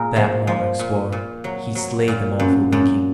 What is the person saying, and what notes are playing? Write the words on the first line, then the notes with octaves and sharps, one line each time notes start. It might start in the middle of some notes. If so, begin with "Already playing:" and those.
That monarch swore He'd slay them all for winking.
Already playing: A#2 G#4 A#4
F3
F3
A#2
A#2
F#3
F#3
A#2
F#2
F#2